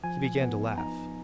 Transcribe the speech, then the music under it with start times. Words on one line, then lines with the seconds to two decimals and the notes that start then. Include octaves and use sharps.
He began to laugh.
0.04 F3 G#5
0.41 B3
0.78 D#4 A#5